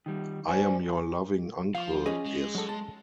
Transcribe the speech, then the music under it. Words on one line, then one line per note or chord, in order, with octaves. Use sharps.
I am Your loving Unkle, Is.
D#3 G3
C5 D5 G#5
F3 F5
C#4 G#4 D#5
G#3
F#3 A4
A5